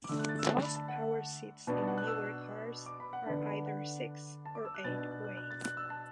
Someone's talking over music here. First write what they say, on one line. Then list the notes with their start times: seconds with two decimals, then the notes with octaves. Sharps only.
Most power seats in newer cars are either six- or eight-way.
0.04 D6
0.09 D3 A3 D4 E6
0.19 F#6
0.29 A6
0.39 E6
0.49 A5
0.62 B5
0.75 A5
0.88 F#5
1.67 B2 B3 D4 A5
1.78 A5
1.88 F#5
1.98 F#6
2.08 E6
2.86 D6
3.00 B5
3.13 F#5
3.26 D3 B3 D4 A5
3.46 B5
3.66 F#5
4.45 A5
4.55 D6
4.65 E6
4.75 F#6
4.84 B2 B3 D4 A6
4.98 A6
5.11 F#6
5.24 F#6
5.37 F#6
5.51 A6
5.64 F#6
5.77 E6
5.90 A5